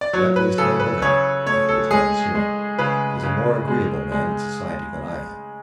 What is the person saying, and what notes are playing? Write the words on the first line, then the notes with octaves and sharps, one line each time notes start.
The ugliest man living--if he has got his hearing--is a more agreeable man in society than I am.
D5
F#3 C#5
B4
C#3 A4
B4
C#3 C#5
A3 C#5
A4
G#3 G#4
G#3
C#3 B4
C#3
G#3
G#3